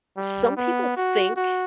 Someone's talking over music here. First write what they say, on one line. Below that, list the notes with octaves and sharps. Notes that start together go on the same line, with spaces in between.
some people think
G3
B3
F#4
F#4